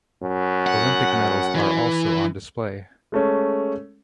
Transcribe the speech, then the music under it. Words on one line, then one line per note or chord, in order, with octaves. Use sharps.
Olympic medals are also on display.
F#2
F#5
E3
G#3 A3 C#4